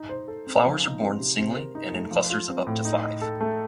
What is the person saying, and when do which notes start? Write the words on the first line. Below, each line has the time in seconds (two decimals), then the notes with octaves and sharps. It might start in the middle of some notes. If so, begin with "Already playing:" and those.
Flowers are borne singly and in clusters of up to five.
Already playing: D#4
0.09 C5
0.28 A4
0.47 C4
0.65 F3
0.83 D#4
1.01 C4
1.20 C3
1.38 C4
1.57 A#4
1.75 D#4
1.94 A3
2.11 F3
2.30 F4
2.48 C4
2.67 A2
2.85 D#4
3.04 D#5
3.21 A4
3.41 A3